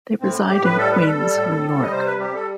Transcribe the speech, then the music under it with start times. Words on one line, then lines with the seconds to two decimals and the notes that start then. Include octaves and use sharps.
They reside in Queens, New York.
0.21 A2 C4
0.40 A2
0.50 G4
0.59 A2 B4
0.78 G3 A4
0.92 B4
0.97 G3
1.06 A4
1.16 G3
1.34 A2
1.54 A2
1.73 G3
1.83 D#5
1.92 C3 C5
2.05 B4
2.11 G3
2.20 G4
2.29 G3 A4